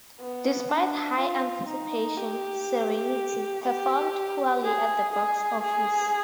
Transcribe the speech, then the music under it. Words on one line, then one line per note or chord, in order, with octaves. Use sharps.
Despite high anticipation, "Serenity" performed poorly at the box office.
B3
D4
F4
D#4
G4
G4
G#4
G#4
G#4